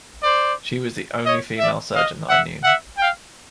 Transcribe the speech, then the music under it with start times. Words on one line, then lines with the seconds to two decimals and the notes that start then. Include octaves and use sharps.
She was the only female surgeon that I knew.
0.21 C5 D5
1.25 C#5 D#5
1.59 D5 E5
1.94 D#5 F5
2.29 E5 F#5
2.63 E5 F#5
2.98 F5 G5